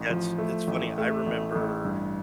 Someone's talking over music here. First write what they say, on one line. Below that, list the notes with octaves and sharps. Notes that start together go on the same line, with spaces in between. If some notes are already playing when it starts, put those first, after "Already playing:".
That's it's funny, I remember
Already playing: A1
F3
A3
A1
A3
A1
A1
G2